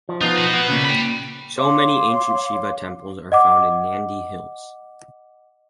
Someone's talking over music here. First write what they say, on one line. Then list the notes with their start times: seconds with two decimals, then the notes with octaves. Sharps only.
So many ancient Shiva temples are found in Nandhi Hills.
0.09 F3
0.21 F3 B3 D#4 F4
0.37 F#4 B4
0.54 B3
0.68 A#2 C#3
0.85 G5 B5
1.57 C#5 F5 C6 D6
3.32 D#5 F#5 D6